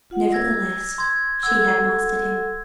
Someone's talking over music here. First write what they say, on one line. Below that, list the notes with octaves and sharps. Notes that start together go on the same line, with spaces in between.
Nevertheless she had mastered him.
F4 F#5
E6 G#6 A#6
C6 G#6
A4 F#5 E6 G#6